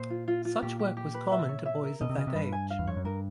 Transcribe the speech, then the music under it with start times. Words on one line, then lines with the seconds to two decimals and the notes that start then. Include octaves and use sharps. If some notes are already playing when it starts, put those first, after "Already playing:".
Such work was common to boys of that age.
Already playing: A#2 C5
0.10 F4
0.28 F4
0.45 F4
0.62 A#2 G4
0.79 G4
0.97 G4
1.14 B4
1.32 E5
1.49 C#5
1.66 E5
1.83 A#4
2.01 B2 D#5
2.09 C3
2.18 C#3 D#5
2.27 C3
2.35 G2 B4
2.52 G#5
2.70 F5
2.79 E2
2.87 F2 C#5
2.97 F#2
3.05 G2 A#4